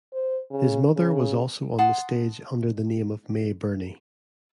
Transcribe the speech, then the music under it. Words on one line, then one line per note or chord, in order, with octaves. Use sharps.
His mother was also on the stage under the name of May Burney.
C5
C#3
C#3
F#5 A5 C6 D#6